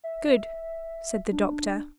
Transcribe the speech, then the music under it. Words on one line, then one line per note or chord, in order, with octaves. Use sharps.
"Good," said the doctor.
E5
E5
D4